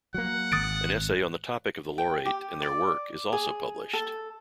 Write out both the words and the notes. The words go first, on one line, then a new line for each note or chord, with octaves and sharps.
An essay on the topic of the laureate and their work is also published.
F#3 A#3 F#5
G#1 D#6 A6 D7
G5
G4
D5
G#4
A4